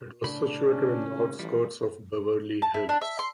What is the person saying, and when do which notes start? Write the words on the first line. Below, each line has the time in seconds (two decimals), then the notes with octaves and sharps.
It was situated in the outskirts of Beverly Hills.
0.24 A2 C#3 D4 B5
0.63 C#4
1.08 G#1
1.39 A1 E3 F3 G3
2.62 A5
2.74 E4
2.89 D4
3.01 E5
3.19 C6